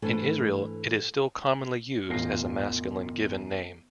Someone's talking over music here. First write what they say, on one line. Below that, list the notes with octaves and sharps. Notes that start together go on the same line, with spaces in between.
In Israel, it is still commonly used as a masculine given name.
G#2 E3 A3 D4 G#4 A4
E1 A1 F4 A#6 C7